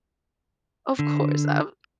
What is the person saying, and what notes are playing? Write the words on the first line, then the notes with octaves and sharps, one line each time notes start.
of course, um
D3